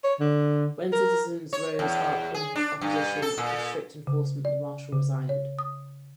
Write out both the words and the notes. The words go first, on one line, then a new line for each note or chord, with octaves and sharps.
When citizens rose up in opposition at the strict enforcement, the marshal resigned.
C#5
D3
A#4
C#5
E2
G#4
D4
G2
A4
A#2
C#3
D5
C#3
C#5
D#6